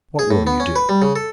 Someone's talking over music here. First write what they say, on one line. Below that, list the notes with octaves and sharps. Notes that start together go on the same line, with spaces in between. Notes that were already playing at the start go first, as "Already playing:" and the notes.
"What will you do?"
G#4
A2
B3
C#4
B4
G3
C#3
A4